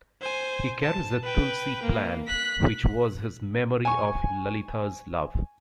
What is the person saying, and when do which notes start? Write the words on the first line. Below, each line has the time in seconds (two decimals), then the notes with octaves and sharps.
He carries a tulsi plant which was his memory of Lalitha's love.
0.21 C5 G#5
0.81 A5
1.23 B4 G5
1.83 A#3
2.27 F#6 B6
3.85 G#5 C#6